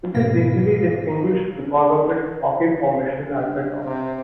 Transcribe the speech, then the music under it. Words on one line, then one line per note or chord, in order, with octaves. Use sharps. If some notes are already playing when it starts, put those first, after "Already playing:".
It is easily distinguished because of its rocky formation at the top.
G#2 B2 B4 F5 A#6
G2
C3 C4 C5